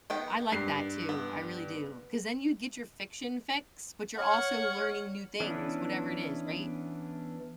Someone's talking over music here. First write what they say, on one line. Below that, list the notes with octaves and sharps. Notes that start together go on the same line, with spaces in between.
I like that too, I really do, 'cause then you get your fiction fix, but you're also learning new things, whatever it is, right?
D#3 B3 G5
G2 C7
B3
C#5 F#5 C#6 F6
E3 B3 C#4 D4 E4